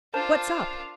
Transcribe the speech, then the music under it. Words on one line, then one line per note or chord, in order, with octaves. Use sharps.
What's up?
D4 F4 A#4 C5 A5